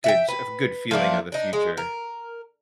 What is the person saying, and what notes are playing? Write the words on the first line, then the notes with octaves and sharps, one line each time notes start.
good ch a good feeling of the future.
E5 F#5 G5
B4
F3 A3 A#3 D4
D4 D#4
G#3
A#4